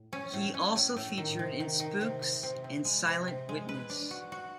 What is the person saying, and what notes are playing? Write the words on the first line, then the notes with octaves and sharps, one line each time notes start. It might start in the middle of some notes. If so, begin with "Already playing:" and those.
He also featured in "Spooks" and "Silent Witness".
Already playing: A2
C#4
A2
C#4
A2
A2
D#3
C3
D#3
D#3
C3
C3
C3
C3
G#3
C3
C3
G#3
B4
D4
F#4
F#4